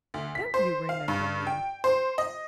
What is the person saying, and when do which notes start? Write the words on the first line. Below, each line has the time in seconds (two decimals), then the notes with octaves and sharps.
"Don't you remember me?"
0.14 D2
0.35 B6
0.54 C5
0.89 F5
1.08 G2
1.47 G5
1.84 C5
2.18 D#5